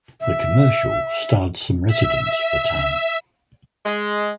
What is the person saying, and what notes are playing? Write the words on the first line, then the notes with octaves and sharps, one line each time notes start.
The commercial starred some residents of the town.
E5
E5
E5
G#3